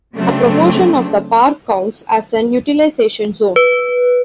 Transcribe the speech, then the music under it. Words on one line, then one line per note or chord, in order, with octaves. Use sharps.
A proportion of the park counts as a utilisation zone.
C#3 F#3 A3 C4 D4
B4